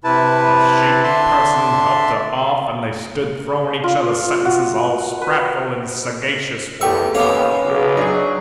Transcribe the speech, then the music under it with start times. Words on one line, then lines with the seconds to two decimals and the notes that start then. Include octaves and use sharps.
The sheep person helped her off; and they stood throwing each other sentences all sprightful and sagacious for a while.
0.04 C3 E4 B4 A5
1.03 D3 E5 A5 C6
3.84 F4
4.45 F#4
5.21 B4
6.81 E2 A3 G4 C#6 E6
7.15 D#2 B3 C#4 F5 D6
7.65 B1 C#3
7.97 F#3 D4 D#4 G#4